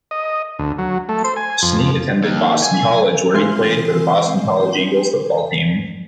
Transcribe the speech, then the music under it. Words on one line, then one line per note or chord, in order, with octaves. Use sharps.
Snee attended Boston College, where he played for the Boston College Eagles football team.
D#5
D2
F#3
A3
C5
G#5
F2
D#2
G#5
E3 G#3 C4 F4 G#5 C6